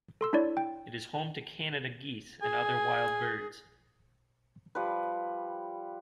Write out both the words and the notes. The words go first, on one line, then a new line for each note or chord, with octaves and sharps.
It is home to Canada geese and other wild birds.
A4 C6 E6
D4 E4 C#5 D5
G5
G#4 G#5
F3 G3 B4